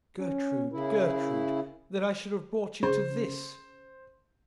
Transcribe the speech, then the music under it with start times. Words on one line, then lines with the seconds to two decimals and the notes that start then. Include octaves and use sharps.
'Gertrude, Gertrude--that I should have brought you to this!'
0.19 C#4
0.73 C#3 E4 A#4
2.83 C#3 C5